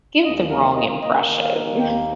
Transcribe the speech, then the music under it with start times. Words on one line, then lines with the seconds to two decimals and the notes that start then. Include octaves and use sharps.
give the wrong impression.
0.24 D#2 D#5
0.50 A#3 A#4
0.76 A#3 D#5
1.02 A#3 D#5
1.28 D#3
1.41 F5
1.54 A#3
1.80 D#2 G5